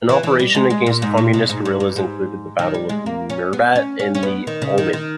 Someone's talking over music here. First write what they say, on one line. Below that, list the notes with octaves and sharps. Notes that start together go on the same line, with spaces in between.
An operation against communist guerillas included the Battle of Mirbat in the Oman.
E3
E3
G3
G#3
G#3
A#2
G#2
A#2
B2
G#2
G#2
G2
G#2
D#3
G3
G#3
A#3
C#4
B3
C#4
C#4
C#4
B3
D#3
C#3
D#3
D#3